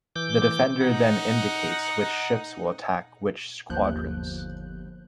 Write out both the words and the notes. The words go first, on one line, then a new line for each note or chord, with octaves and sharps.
The defender then indicates which ships will attack which squadrons.
E3 D6 G6
D#4 F#5
G1 D#2 F3 F#6 G6